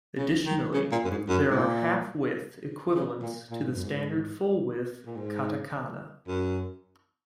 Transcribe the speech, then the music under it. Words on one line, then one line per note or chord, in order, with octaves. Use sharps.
Additionally, there are halfwidth equivalents to the standard fullwidth katakana.
C#3
D#3
C#3
A#2
F#2
G#2
F#2
G#2
A#2
C#3
A#2
A#2
G#2
F#2
G#2
A#2
G#2
F#2